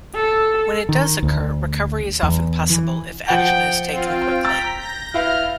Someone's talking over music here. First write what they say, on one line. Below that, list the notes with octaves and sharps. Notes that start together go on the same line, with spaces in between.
When it does occur, recovery is often possible if action is taken quickly.
A4
D#3
D2
E2
E3
F3 F#5 G5
C4 F4 G5
A#5 E6 A6 B6
G6 A#6
E4 B4 F5 F6